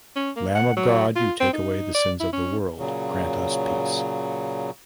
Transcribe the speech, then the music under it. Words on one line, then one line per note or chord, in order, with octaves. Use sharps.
Lamb of God, you take away the sins of the world: grant us peace.
C#4
A#3
F#5
F#3
F4
C4
D#4
D5
E4
C#4
A#2 C#3 F#3